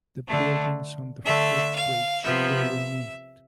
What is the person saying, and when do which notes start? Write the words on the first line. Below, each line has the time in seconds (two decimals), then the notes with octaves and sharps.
The buildings on the footbridge were removed.
0.28 D3 A3
1.26 D3 A3 E5
1.75 F5
2.24 C3 F3 B3 E5